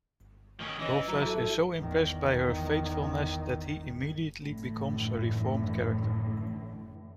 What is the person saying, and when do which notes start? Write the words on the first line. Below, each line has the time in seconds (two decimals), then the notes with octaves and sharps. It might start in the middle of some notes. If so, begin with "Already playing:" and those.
Loveless is so impressed by her faithfulness that he immediately becomes a reformed character.
0.60 D#3 C#4
0.79 E3 C#4 D#5 A#6
1.08 F#3 E4 A#5
1.25 A4
1.76 E2 D#3
4.39 F#2 A2 D3 E3